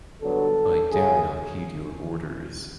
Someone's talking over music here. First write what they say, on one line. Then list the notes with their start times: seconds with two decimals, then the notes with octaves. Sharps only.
I dare not heed your orders.
0.22 G2 D3 F#3 B3 A4
0.90 F#2 C#3 F#3 G#4